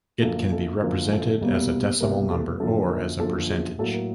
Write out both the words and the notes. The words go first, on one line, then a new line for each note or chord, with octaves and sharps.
It can be represented as a decimal number or as a percentage.
F#2 D3 F3 A#3 A4
A4
F#2 D3 F3 A#3 A#4
A4
C2 B2 G3 A#3
C2 B2 G3 A#3 A#4
A4
F#2 D3 F3 A#3 A4
A#4
F#2 D3 F3 A#3 A4
G#4
A2 F#3 A#3 A4
A#4